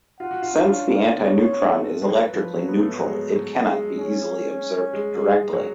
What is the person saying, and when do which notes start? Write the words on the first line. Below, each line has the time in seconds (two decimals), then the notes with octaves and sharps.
Since the antineutron is electrically neutral, it cannot easily be observed directly.
0.20 F4 F#5
0.31 F#4
0.42 F4
0.61 D4
0.67 C#4 F5
1.15 B3 C#5
1.63 A3
2.02 G#3
2.09 F#3 B4
2.33 F3
2.56 F#3
2.68 B3
2.81 A3
2.98 F#3
3.05 G#3
3.35 F#3
3.67 G#3
3.98 C#4
4.93 G#3
5.17 G#3
5.41 G#3
5.53 F#3